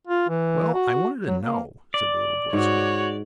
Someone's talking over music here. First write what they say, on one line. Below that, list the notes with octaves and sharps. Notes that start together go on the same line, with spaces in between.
"Well, I wanted to know," said the little boy squirrel.
F4
E3
F#4
F#3
A#3
D5
G#2 F#4 C#5